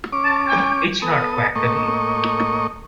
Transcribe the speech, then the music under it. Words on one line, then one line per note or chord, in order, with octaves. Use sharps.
It's not quackery.
C#4 D6
B3 A4 D#6
A2 A#3 D#5 C#6